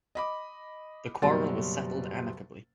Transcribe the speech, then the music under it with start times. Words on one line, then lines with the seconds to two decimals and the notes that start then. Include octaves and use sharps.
The quarrel was settled amicably.
0.15 D#5 B5 D6
1.22 F#1 B2 F#3 G3 C6 A6